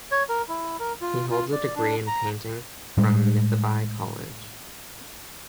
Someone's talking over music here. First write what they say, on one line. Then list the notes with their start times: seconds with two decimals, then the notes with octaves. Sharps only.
He holds a degree in painting from Mithibai College.
0.12 C#5
0.29 A#4
0.49 E4
0.79 A#4
1.02 F4
1.31 F4
1.53 D5
1.76 D4
2.07 A#5
2.97 A2 G3 G#3